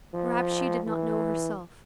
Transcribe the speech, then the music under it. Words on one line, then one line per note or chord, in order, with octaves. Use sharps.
Perhaps she did not know herself.
F3
E3